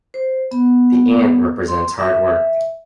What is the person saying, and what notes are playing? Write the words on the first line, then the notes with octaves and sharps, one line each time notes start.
The ant represents hard work.
C5
B3
C6
E5